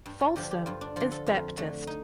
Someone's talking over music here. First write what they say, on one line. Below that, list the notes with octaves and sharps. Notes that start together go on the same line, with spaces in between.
Folsom is Baptist.
G2
F4
D3 F3 G4
G4
G2 F4
D4
D3 F3 F4
A4
F2 F4
D3 A3
D#4